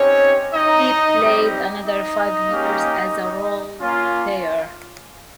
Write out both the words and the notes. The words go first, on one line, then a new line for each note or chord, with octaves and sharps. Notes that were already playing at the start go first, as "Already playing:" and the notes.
He played another five years as a role player.
Already playing: C4 C#4 D#4 G4 C#5
D#4 D#5
G3 C4 D#4 G4
D#4 D#5
A#3 C#4 G4
A#3 C#4 F4